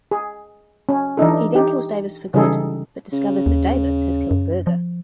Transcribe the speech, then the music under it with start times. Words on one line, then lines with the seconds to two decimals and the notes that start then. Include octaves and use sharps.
He then kills Davis for good, but discovers that Davis has killed Burger.
0.11 G#4
0.89 C#4
1.17 E3 D4 D#4 A4
1.55 D#4 G4
2.34 C#3 E3 G3 D#4 G#4 A4
3.13 C#3
3.46 D#2
4.31 F#2
4.67 F3